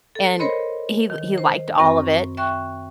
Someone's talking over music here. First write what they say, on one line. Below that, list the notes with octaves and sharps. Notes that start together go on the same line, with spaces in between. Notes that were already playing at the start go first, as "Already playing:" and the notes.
and he he liked all of it.
A4
A#4 C5 C#5 D#5 B5 C6
D#3
C5
F#2 C4 A#5 C#6 A#6
E5 G5 C#6 F#6